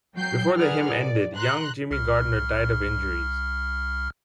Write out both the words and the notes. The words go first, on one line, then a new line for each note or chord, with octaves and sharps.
Before the hymn ended, young Jimmy Gardner died of injuries.
F#3 G5 G6 C7
G#4 A#4 B4 D5 F#5 F6
D5
A#5 C6 F#6
C2 F6